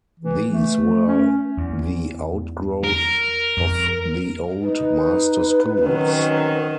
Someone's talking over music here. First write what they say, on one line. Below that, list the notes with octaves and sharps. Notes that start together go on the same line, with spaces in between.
These were the outgrowth of the old master schools.
E3
A3
C#4
E2
A#4
F2
D#4 B4
D#3 F#3 C4 C#4